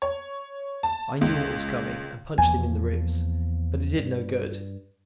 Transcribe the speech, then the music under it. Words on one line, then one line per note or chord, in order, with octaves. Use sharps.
I knew what was coming and punched him in the ribs, but it did no good.
C#5
A5
C#2
E2 F3 A#3 G#5
G2